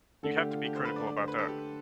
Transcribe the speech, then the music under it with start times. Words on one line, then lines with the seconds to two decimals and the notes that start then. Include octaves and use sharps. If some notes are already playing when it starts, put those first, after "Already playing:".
you have to be critical about that.
0.23 D3 A3 D4 A4
0.37 G4
0.51 F4
0.65 G4
0.76 C5
0.85 B4
0.96 D5
1.07 D5
1.17 C5
1.28 B4
1.38 A4
1.48 G4